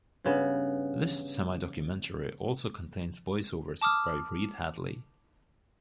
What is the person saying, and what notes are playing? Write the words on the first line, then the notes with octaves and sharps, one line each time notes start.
This semidocumentary also contains voice-overs by Reed Hadley.
G2 C#3 B3
A5 D6 D#6 F6